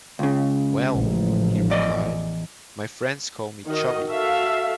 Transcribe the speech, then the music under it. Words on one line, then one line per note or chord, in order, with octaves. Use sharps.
"Well", he replied, "my friends call me 'Chubby'".
C#2 C#3
A1 F3
E2 D5 D#5
D#3 F#4 D#5
F#4 A4 E5 F5